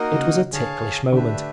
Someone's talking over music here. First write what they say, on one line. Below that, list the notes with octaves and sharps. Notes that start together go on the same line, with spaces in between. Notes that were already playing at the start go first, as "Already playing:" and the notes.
It was a ticklish moment.
Already playing: A#3 D#4 F#4 A#4 D#5
C#3
D3 G#4 C#5 F5 A5
D3 A3 D4 G4 B4 E5